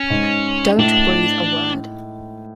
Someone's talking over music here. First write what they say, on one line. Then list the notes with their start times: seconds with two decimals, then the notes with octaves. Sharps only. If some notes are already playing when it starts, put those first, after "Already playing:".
Don't breathe a word!
Already playing: C#4
0.10 G#2
0.78 A2 D4